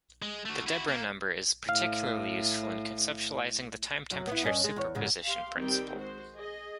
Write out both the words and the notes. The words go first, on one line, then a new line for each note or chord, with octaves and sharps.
The Deborah Number is particularly useful in conceptualizing the time-temperature superposition principle.
G#3
A3 F#4
E4 F#4
A#3
A2 F5
F#2 F#3
B3 E4
G2 C#4 D#5
G#3
E2 C#5
E2 G#2 C#3
G4 F5 C6
D#3 G3 C4 G4 G5
G#3 F#4 C5
G#4 D#5